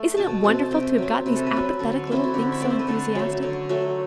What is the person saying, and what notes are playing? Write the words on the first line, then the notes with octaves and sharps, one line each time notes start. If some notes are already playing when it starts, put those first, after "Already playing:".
Isn't it wonderful to have got these apathetic little things so enthusiastic?
Already playing: A3
B2 A5
A3 C4 A5
C3 G5
F#3 C4
C3 B4
A4
B4
F#3 C4
D3 A4
A3 C4 E4
F#4
D3 G4
E5
A3 C4 D5
C5
B4
D3 A4
F#3 A3
D3
F#3 A3